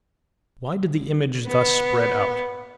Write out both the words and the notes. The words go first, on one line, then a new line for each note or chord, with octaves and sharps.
Why did the image thus spread out?
B3